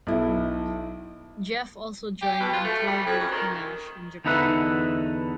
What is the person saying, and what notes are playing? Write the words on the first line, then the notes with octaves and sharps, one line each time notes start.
Jeff also joined and toured with Panache in Japan.
B1 E4
G4
B2
F4
A3
G3
F2
F#2
D#3
E2 D3 D#4 B4 E5 F#5